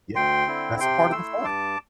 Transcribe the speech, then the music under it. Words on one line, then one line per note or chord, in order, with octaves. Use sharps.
Yes, that's a part of the fun.
D2 G5 C6
D3 C4 E4
C3 G5 C6
A3 E4 C6 E6
G2 A5 D6